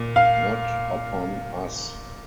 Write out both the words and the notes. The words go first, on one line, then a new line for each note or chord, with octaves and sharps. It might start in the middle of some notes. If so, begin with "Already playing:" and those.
Not upon us!
Already playing: A#2
F5